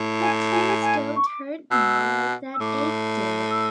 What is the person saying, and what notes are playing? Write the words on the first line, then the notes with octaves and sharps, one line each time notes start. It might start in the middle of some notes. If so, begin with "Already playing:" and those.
The tears don’t hurt me like that ache did.
Already playing: A2
G#5
G#5
A5
G#5
G#5
C#6
D6
B2 E6
E6
A2 D6
E6